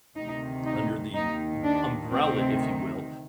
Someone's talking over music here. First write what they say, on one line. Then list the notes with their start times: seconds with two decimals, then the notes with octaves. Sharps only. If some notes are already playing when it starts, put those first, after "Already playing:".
under the m umbrella, if you will,
0.16 D2 C3 D#3 D#4
0.65 D#4
1.14 D#2 D#3 D#4
1.64 D4
2.12 D2 C3 D#3 C4